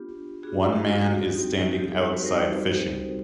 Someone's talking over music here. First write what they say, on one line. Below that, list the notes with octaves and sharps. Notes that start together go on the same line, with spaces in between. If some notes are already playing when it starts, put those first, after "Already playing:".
One man is standing outside fishing.
Already playing: B3 D4 F4 G4
B3 D4 F4 F#4 G#4
G4
F#4
G3 C4 D#4 F#4 G4
G4 A4
B4
G3 C4 D#4 F#4 A#4 C5